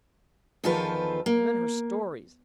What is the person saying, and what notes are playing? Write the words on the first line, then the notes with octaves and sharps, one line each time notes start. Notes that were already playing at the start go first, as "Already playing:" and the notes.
And then her stories!
E2 D#3 F3 F4 A4 B4
A#3